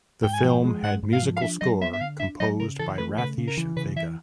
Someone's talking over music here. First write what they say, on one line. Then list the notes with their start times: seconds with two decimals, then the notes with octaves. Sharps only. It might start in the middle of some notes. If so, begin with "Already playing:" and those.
The film had musical score composed by Ratheesh Vega.
0.23 G#2 G5
0.34 G#5
0.43 F3 G5
0.64 G#3
0.83 G#2 F#5
1.03 G#2
1.13 F5
1.22 F3
1.37 F5
1.41 D4 E5
1.61 F#3 D#5
1.80 B3 E5
1.93 E5
2.01 D3 F5
2.20 D4 E5
2.40 F#3 D#5
2.60 C#3 A#4
2.79 E3 A4
2.98 A3 B4
3.18 C#3 B4
3.38 C#3
3.47 A#4
3.57 E3
3.76 C#3 B4
3.96 E3 E5